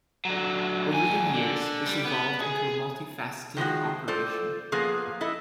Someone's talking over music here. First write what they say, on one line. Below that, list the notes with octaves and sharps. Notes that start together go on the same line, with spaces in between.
Over the years, this evolved into a multi-faceted operation.
D3 F#3
D#2 G#5
D3
G3
B3
G#4
D#3 F3 G#3 F#4
F4 A4 C5 D5
F3 A#3 B3 F4 G#4
E4 A4 D#5